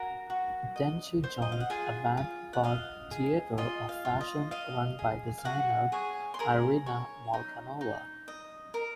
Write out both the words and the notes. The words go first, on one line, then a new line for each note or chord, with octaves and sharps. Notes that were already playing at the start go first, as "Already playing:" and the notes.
Then she joined Avant-garde Theatre of fashion run by designer Irina Molchanova.
Already playing: F#4 A#4 A#5
F#4
D#5
C5
D#5
F5
F#5
F4 G#4 G#5
F4
F#5
D#5 F5
G#4
F4 D#5
F5
F4
D#5
D#5 F5
G#4
F5
F#4 G#4 F#5
G#4 C#5 G#5
C6
G#4 A#4 A#5
C#5
D#4
D#4
D#5
A#4